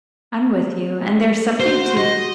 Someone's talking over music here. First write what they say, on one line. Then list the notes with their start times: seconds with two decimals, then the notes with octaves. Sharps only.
I'm with you. And there's something to
1.60 F#4 C5
1.97 D#5